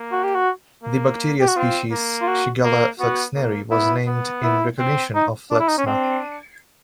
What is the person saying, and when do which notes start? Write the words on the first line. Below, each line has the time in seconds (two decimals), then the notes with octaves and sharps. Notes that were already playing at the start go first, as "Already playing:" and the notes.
The bacteria species "Shigella flexneri" was named in recognition of Flexner.
Already playing: A#3
0.12 F#4
0.24 G4
0.35 F#4
0.83 A#3
1.41 G4
1.48 F#4
1.56 C4 F4
1.92 A#3
2.21 F4
2.27 F#4
2.64 A#3
2.99 B3 F#4
3.35 A#3
3.71 B3 E4
4.07 B3
4.43 E4
4.79 C4
5.15 D#4
5.51 D4
5.60 E4
5.68 D#4
5.78 C#4
5.87 C4 D4